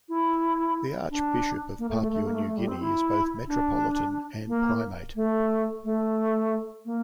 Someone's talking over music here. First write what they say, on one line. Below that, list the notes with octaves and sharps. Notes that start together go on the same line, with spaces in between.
The Archbishop of Papua New Guinea is both Metropolitan and Primate.
E4
D4
A#3
A3
A3
A3
A#3
A3
A3
G3
C4
E4
D4
A#3
A3
A3
A#3